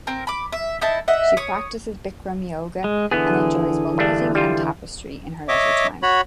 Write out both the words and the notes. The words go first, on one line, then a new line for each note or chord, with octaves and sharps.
She practices Bikram Yoga and enjoys both knitting and tapestry in her leisure time.
C4 A#4
B5 D6
E5
D#4 E4 A5
D#5 E5 F#5
C#5 D#6
G#3
D3 E3 B3 G#4
G2 A3 D4
G3 F4
C#5 D#5 E5 D6
F#4 C#5 B5